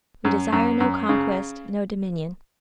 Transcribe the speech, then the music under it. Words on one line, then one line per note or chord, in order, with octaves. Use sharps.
We desire no conquest, no dominion.
F#2
F#2
F#2
C#3